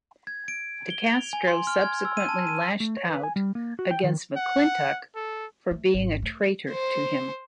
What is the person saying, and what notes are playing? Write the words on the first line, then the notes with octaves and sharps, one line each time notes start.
De Castro subsequently lashed out against McClintock for being a "traitor" to him.
G#6
D7
G7
F7
G#5
C6
F6
G#6
E6
D#7
A5
D#7
A3
C#5
B4
G#5
G3
A#3
F#4
G5
D#3
F#5
A4
A3
G#1
A3
C5